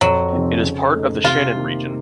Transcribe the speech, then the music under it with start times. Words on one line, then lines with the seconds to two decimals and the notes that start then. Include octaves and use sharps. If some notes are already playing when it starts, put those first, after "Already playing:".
It is part of the Shannan region.
0.01 F2 F#3
0.32 C3 F3 C4 D#4
0.62 C#3
0.94 A3 D#4
1.24 C3 F4
1.55 D#3 A#3